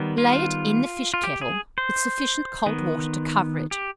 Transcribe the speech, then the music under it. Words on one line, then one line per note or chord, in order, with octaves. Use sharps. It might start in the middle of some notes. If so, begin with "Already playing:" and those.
Lay it in the fish-kettle, with sufficient cold water to cover it.
Already playing: D#3 G3 B3
F4
F4
G4
G#4
C5
D#3 B3
G4